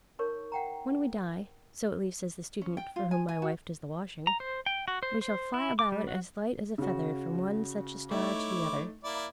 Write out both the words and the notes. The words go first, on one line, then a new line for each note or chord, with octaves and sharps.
When we die--so at least says the student, for whom my wife does the washing--we shall fly about as light as a feather from one such a star to the other.
D#4 A#4 C#5 C#6
F#5 G5 A#5
C#4
G5
F4
G#5
G#5
F#4
A#5
C5
G5
F#4
C5
C5
E4
D6
G3
F#4
C#3 F#4
A3 D#4 E4 C#5 D6
A#3 E4 D5